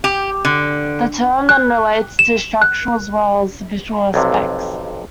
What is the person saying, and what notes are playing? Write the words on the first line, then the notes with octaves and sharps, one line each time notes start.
The term then relates to structural as well as visual aspects.
G4
D3
F#6
E7
F#6
B1 F2 C3